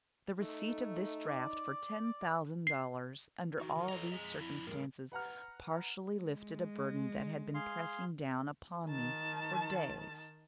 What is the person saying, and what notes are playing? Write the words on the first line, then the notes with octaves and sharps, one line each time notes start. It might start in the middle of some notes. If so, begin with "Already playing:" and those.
The receipt of this draft for ten thousand dollars, under all these circumstances, partially lifted a burden that had been pressing down upon me for days.
A3 D#4
D5
C7
E3 D#4 F#4
D#3 E3 A#4
F2 A4 C#5 D#5 A#5
G#4 D#5 B6
E4
A2 G3 G#4 A#4
B4 F#5 A#5 F6
G#3
G#4 F5 C6
D#3 A5